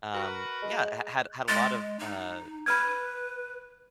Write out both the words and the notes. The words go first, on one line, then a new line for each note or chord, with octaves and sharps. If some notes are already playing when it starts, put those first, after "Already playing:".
um, yeah, h had had a lot of, uh,
F#4 A#4 B4
G#3
G#3 A6
D#4
B4 B5 F6 G#6